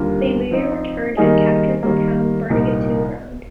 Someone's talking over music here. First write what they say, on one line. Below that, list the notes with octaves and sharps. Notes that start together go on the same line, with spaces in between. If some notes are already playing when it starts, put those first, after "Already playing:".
They later returned and captured the town, burning it to the ground.
Already playing: D#2 D3 G3 A#3 F4
F3 C4 D#4
D#3 G3 A#3 D#4 G#4
D#3 G3 A#3
C2 A#2 F3 A#3 D#4